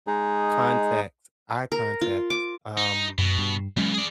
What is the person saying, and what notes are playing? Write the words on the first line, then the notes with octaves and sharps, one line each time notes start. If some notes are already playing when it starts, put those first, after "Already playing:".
contacts eye contacts, um
G#3 D#4 G#4
A#4
F4
D6
D#4
F#2 B2
G2
C#3 E3 F#3 G#3 C#4
G#4 D5